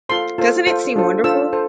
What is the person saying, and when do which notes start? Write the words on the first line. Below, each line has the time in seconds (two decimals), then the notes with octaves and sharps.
Doesn’t it seem wonderful?
0.09 F4 A4 C5 C6
0.38 F4 A4 C5
0.67 F4 A4 C5
0.96 D4 F4 A4 C5
1.24 D4 F4 A4 C5 E6
1.53 A4 C5